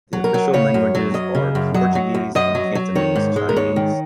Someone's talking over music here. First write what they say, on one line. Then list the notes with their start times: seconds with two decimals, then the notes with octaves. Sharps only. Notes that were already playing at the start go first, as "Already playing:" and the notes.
The official languages are Portuguese and Cantonese Chinese.
0.13 F#3
0.24 A#4
0.34 F#3
0.53 C#3 C#5
0.74 F#2
0.95 F#3
1.14 F#2 D#5
1.35 C#3
1.55 F#2
1.74 F#3 D#5
1.95 F#3
2.14 F#2
2.35 F#2 D#5
2.55 F#3
2.75 F#3
2.95 D#3 C#5
3.16 G#2
3.36 G#3
3.49 A#4
3.56 G#2 C#5
3.76 D#3